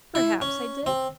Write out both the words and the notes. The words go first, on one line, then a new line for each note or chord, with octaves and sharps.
"Perhaps I did."
E4
C#4
C4